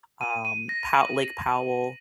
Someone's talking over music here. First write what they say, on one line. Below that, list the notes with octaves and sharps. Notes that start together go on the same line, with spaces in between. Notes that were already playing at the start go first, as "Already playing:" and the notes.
um, Po Lake Powell,
D#7
D#7
A#6
F#7
A#6